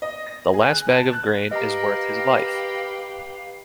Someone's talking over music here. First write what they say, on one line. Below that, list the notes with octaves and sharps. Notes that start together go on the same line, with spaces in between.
The last bag of grain is worth his life.
D#5
A#6
G#4
F#6
A5
F#6
G4 A#4 B4 D#5 F5 A#5